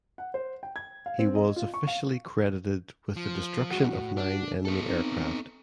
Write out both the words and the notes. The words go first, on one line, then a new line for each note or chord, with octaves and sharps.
He was officially credited with the destruction of nine enemy aircraft.
F#5
C5
G5
G#6
F5
C4
D#5
F4
C#6
F5
F3
F2 G#3 F#4 F#5
A2
D4
B3 A4
C4 D#4